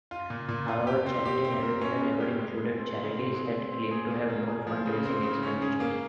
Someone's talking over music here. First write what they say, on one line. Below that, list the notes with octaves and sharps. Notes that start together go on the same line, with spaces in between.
However, Charity Navigator never included charities that claim to have no fundraising expenditures.
F4
A#2
A#2
F4
G4
C4
G4
C4
A#4
C#4
G#3
G4
G#3
G#3
C4
C#3
C4
G#3
C4
C4
G#4
A#3
A#3
G#4
F3
C#3
C4
C#3
C#4
G#4
A#3